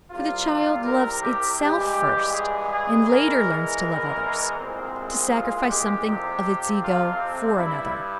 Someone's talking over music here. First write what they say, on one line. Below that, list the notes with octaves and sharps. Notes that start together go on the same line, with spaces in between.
For the child loves itself first, and later learns to love others, to sacrifice something of its ego for another.
C2 C3 G3 F4
A#4
G4
G2 E3 G#3 G4
G#4
G#4
E2 E3 G#3 A#4
C2 A#2 G#3 C4
F4
G4
F2 C3 F3
F4
C4
G2 G3 E4